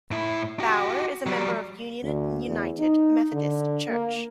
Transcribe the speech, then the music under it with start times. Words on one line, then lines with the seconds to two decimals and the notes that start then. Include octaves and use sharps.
Bauer is a member of Union United Methodist Church.
0.11 A2 E4
0.60 F#4 G4
1.26 F#3 G3
2.02 D2
2.46 E2
2.80 D#4
3.33 D3
3.90 A#3